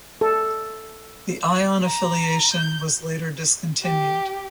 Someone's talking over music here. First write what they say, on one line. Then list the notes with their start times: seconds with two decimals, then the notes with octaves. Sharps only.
The Ion affiliation was later discontinued.
0.21 A4
1.85 A#5
2.53 G6
3.83 G4